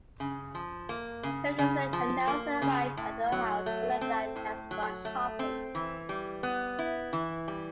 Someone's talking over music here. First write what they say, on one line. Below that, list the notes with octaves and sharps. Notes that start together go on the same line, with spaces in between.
Ferguson and Nelson arrive at her house to learn that she has gone shopping.
C#3
F3
A#3
C#3
C#3
F3
A#3
C#3
A2
F#3
A3
C4
A2
F#3
A3
C4
E3
G3
B3
E4
E3
G3